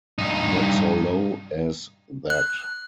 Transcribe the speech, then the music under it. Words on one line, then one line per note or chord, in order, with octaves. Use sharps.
Not so low as that.
G2 D#4
F#6